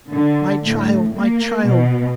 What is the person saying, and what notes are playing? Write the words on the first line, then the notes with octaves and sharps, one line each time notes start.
'My child, my child!
D3
A2
A#3
B2